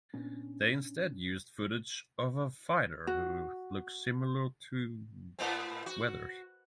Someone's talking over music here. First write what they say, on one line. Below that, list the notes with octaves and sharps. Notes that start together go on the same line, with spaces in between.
They instead used footage of a fighter who looks similar to Weathers.
A#2 B3 C#4 D4
F#4
A2 B3 C4
F#4